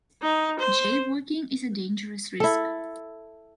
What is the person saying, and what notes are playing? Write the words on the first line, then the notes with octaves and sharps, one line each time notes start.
Jaywalking is a dangerous risk.
D#4
C5
E4 A4